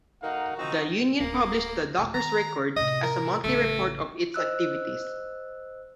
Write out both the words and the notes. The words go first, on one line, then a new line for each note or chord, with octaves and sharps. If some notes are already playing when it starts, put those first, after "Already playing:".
The union published the "Dockers' Record" as a monthly report of its activities.
A3 D#4 F#4 A#4 F5 F#5
D#3 F3 C4 D#4 F#4
D1 A#3
E1 A3
D#3 A#5
A2 C3 D#5
A#4
A1 C#3 A3
C5 D#5 E6 F#6